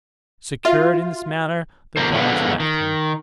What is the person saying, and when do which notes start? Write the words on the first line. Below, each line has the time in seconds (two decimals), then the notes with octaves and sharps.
Secured in this manner the gods left him.
0.65 F4 F#4 E5
1.97 E2 D3 G#3 F4 A#4 C5
2.12 D3 F3 G#3 B3
2.60 D#3